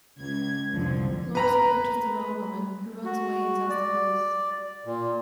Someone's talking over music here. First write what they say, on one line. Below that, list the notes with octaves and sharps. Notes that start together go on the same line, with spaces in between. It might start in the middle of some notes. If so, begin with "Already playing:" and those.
Loris approaches the wrong woman, who runs away and tells the police.
C#2 G#6
C2 F2 A#2 D3 F3
B4 A#5 B5
F#4
D5
A#2